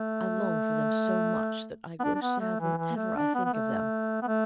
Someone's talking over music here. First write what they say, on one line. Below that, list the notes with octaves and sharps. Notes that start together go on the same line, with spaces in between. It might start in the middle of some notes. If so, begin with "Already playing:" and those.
I long for them so much that I grow sad whenever I think of them.
Already playing: A3
B3
D4
D4
B3
A3
E3
E3
A3
D4
B3
B3
A3
B3
A3